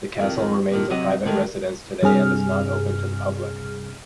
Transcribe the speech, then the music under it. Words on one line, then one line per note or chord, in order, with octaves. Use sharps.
The castle remains a private residence today and is not open to the public.
F2 D#3
A#2 D#3 D4
C3 F#3 D#5 F#5
D3 D#3 G#3 A3
G2 C3 G#4 F6